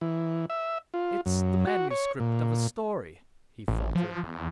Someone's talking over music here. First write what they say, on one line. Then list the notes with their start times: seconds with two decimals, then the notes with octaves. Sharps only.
"It's the manuscript of a story," he faltered.
0.01 E3
0.50 E5
0.94 F4
1.26 F#2
1.67 F#4
1.91 C#5
2.20 A#2
3.68 A1
3.95 F3
4.23 E2